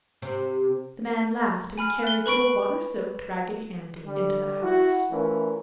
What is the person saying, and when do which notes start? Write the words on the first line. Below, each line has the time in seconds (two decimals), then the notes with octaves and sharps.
The man laughed and carried little water-soaked Raggedy Andy into the house.
0.22 C3
1.78 G#5 B5 F6
2.03 F#6 G7
2.26 B4 B5 C#6 D7
4.05 D3 G3
4.62 E4 F#4
5.12 E3 A3 C#4 F4 A#4